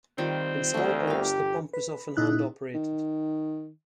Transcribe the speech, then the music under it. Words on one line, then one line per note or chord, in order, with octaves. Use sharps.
In small boats the pump is often hand operated.
D#3 G3 C4 F4
D2 A3 D4
G1 G4 A#4 F5
B4
A#2 D#4 E4 F#6
D#3